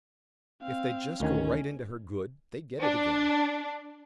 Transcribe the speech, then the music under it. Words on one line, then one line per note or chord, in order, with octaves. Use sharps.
If they'd just go right into her good, they'd get it again.
C4 F5
D2 D#3 C#4 G#5
D4